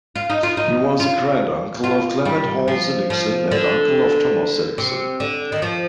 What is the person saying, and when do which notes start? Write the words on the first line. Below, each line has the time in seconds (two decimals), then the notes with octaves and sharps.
He was the granduncle of Clement Hall Sinnickson and uncle of Thomas Sinnickson.
0.16 F4
0.30 D#4
0.43 F4
0.57 D#4
1.00 F4
1.84 F4
2.25 G3
2.68 F3
3.10 F3
3.51 D3
4.78 C3
5.20 D3
5.52 D#3
5.62 F3